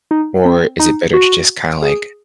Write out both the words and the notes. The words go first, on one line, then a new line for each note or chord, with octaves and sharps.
or is it better to just kinda, like,
D#4
C4
D#4
F#4
G#4